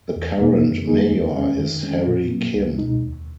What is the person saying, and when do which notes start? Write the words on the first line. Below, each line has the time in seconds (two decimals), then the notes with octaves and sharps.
The current mayor is Harry Kim.
0.16 E2
0.40 B2 A#3 D#4
0.64 F#2
0.87 D#3 A#3 D#4 G#4
1.11 E2
1.35 D#3 G#3 C#4
1.59 D#3
1.83 G#3 C#4
2.07 A#2
2.30 F#3 A#3
2.54 C#2
2.79 B2 G#3 D#4
3.02 D#2